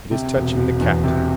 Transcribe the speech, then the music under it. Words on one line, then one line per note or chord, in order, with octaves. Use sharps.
It is touching the Captain.
C3
E1
E1
E2
C3